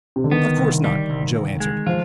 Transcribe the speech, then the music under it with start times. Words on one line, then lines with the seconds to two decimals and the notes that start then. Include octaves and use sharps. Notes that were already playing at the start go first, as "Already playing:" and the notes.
"Of course not," Joe answered.
0.16 C3
0.24 D3
0.31 D#3 B3
0.58 C2
0.84 G3
1.10 C2
1.35 C2
1.60 G#3
1.87 F3 F4